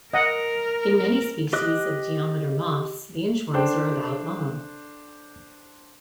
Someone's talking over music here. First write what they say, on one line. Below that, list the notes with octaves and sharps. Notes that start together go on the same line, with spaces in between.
In many species of geometer moths, the inchworms are about long.
A#4 D#5 F#5
G4 D#5 D#6 F#6
D4 A4 C5 G5